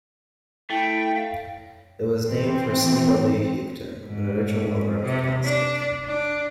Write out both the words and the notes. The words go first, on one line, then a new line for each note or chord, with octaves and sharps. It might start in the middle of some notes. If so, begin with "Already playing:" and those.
It was named for C. W. Houghton, an original owner of the town site.
A3 E4 G5
F5
E3 C4
G#2
C3
D4
D4